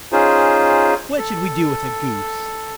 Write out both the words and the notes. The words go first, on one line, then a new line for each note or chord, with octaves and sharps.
What should we do with a goose?
C#4 D#4 F4 G#4 C5
A4